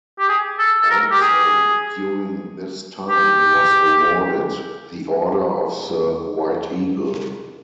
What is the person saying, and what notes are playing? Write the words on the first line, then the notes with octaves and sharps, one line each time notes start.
Also during this time he was awarded the Order of the White Eagle.
G4
G#4
A4
A4
A#4
G4
G#4
G4